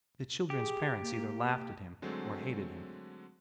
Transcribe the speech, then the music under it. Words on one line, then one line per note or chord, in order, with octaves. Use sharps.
The children's parents either laughed at him or hated him.
G4 G#4
A#3
D3 F#3 G#3 A3 C4